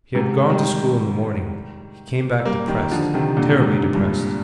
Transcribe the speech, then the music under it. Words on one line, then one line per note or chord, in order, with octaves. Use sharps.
He had gone to school in the morning, he came back depressed, terribly depressed.
G#2 C3
D#3 G3
G3 A#3
D#3 G3
D3 F3
C3 D#3
A#2 D3
G#2 C3
G2 A#2